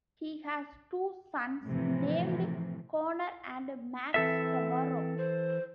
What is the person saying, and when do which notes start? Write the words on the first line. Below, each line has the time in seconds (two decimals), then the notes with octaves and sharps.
He has two sons named Connor and Max Tabarrok.
1.66 A2 C3 E3 F3
4.14 E3 C4 A4 E5
5.18 C5